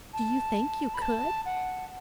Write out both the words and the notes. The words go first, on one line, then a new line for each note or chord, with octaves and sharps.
"Do you think you could?"
A5
B5
A5
F#5